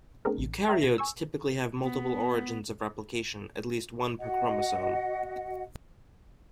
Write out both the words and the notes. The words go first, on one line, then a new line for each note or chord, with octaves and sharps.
Eukaryotes typically have multiple origins of replication; at least one per chromosome.
A3 B3 C4 D4 G#4 A#4
A1
G4 A#4 C#5 E5
B2 G#6 A#6
G#5 C#6 E6
B3
F#4 D#5 F#5